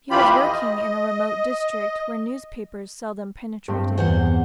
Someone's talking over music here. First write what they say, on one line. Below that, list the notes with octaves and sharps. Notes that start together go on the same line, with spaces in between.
He was working in a remote district where newspapers seldom penetrated.
F2 E3 F4 G4 B5
D#5
G2 C4
E2 C5 F#5